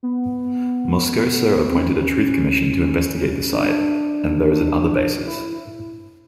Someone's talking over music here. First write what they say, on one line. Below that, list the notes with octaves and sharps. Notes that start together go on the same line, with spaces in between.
Moscoso appointed a truth commission to investigate the site and those at other bases.
B3
C4
C#4
D4
E4